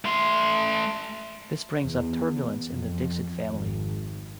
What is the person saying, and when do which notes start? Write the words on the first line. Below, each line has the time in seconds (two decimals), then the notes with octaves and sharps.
This brings up turbulence in the Dixit family.
0.05 A3 C6
1.81 E2
2.65 F2
3.48 G#1